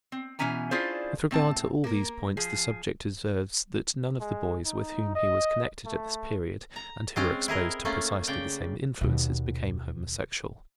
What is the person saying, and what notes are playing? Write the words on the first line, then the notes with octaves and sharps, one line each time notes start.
With regard to all these points the subject observes that none of the boys with whom he was connected at this period, and who were exposed to precisely the same influences, became homosexual.
C4
B2 E3 F#3 C#4 G#5 A#5
C#4 D4 E4 F4 G#4 C5
A2 C4 A5
A#3 A#4
F3 G#4
G#3
D#4
D#5
A3
A#5
G#3 C4 C#4 F4
E4 G#4 A#4 D#5
A3 A#3 C#4 F4
C#3 D5 G5
D#2 B2